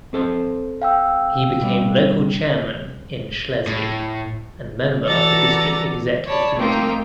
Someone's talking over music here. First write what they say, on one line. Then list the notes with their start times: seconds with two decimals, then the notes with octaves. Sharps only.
He became local chairman in Schleswig and member of the district executive committee.
0.13 C4 A4 C5
0.82 F5 G5 E6
1.61 B2 G3
3.67 A2
5.04 E3 F#4 A4 D5 A#5 A6
6.26 C#5 D5 A5 B5
6.55 A3 A#3 C4 D#4 F4 G5